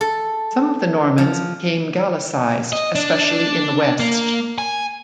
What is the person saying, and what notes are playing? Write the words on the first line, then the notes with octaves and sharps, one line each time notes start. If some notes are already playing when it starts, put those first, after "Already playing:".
Some of the Normans became Gaelicised, especially in the West.
A4
F3
D#5
D4
A#3
G#5